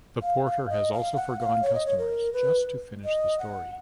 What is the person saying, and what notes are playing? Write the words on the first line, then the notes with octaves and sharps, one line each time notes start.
The porter had also forgone customers just to finish the story.
F5
F5
D#5
F5
F#5
F5
C#5
D#5
C#5
A#4
B4
D#5
F#5